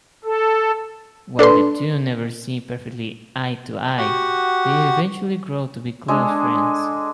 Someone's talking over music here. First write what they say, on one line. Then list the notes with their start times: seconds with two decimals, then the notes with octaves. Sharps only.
While the two never see perfectly eye-to-eye, they eventually grow to be close friends.
0.25 A4
1.39 D4 A4 B4 C6
3.98 F#4 G4 F#5
6.08 G#3 D4 G#4 A4